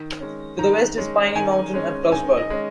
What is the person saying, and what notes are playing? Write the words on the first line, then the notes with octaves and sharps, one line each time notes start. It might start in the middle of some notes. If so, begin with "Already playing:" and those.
To the west is Piney Mountain and Frostburg.
Already playing: D#3
G#3 C#4
D#3 A#5
G#3 C#4
D#3 G#5
G#3 C#4
D#3 G#5
D#5
G#3 C#4